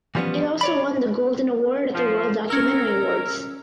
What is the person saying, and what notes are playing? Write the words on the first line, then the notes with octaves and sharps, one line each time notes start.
It also won the Golden Award at the World Documentary Awards.
E3 F3 G3 A#3 B3 C#4
C#5 D5 B5
F3
C#4 A#4 E6